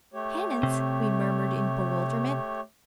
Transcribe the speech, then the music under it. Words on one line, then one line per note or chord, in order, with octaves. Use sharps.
"Penance?" we murmured in bewilderment.
A3 G4 C#5
C3